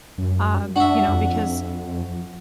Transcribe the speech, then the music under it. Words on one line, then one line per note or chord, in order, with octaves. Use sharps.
um, you know, because,
F#2
D4 F#4 E5
F2